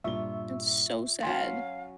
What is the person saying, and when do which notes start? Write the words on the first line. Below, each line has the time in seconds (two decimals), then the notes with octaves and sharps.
It's so sad.
0.04 G2 A#2 F4 E5 C#6 E6 G7
1.23 F#3 C#4 F5 B5 C6